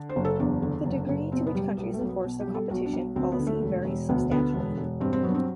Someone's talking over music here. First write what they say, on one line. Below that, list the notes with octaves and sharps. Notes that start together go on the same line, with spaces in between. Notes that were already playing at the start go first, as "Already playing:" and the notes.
The degree to which countries enforce their competition policy varies substantially.
Already playing: D3
C5
F#1
A4
E2 D4
D3
F#1
F#1
B2 C4
B3
G3
B1 B3
A3
B1
B3
B2
G4
G3
A4
B1 F#4
D4
B1
D2 C4
B3
D3
A3
E1
E1
D2 B3
D3 B3
E1
E1
G2 C4
C4
F#3 B3
D4
C4